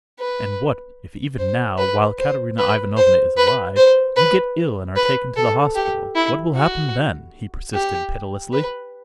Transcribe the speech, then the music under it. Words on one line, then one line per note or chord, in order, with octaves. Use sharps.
"And, what, if even now, while Katerina Ivanovna is alive, you get ill and are taken to the hospital, what will happen then?" he persisted pitilessly.
B4
C5
B4
C5
B4
C5
B4
C5
B4
B4
A4
G4
E4
F#4
G4
B4